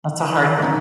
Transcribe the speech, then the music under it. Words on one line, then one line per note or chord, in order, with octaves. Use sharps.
That's a hard one.
D#3
C#4 D#4